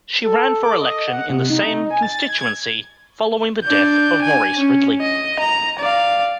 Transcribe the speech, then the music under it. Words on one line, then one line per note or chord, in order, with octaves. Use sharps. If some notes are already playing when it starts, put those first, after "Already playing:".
She ran for election in the same constituency following the death of Maurice Ridley.
A4
D6
D#5
F#5
C3
D#4
G#5
A6
G#6
D4 G6
G#5
C#4
D#5
A#5
D5 F5